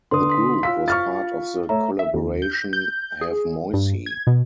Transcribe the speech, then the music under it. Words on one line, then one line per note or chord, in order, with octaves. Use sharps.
The group was part of the collaboration Have Moicy!
D3 B4 C6 D#6
C6 B6
F4 F5 E6 B6
C#6 F6 A6
A3 C#5 E5 A#5
E5
D#2
G6
G6
G#4
G2
G#6
B2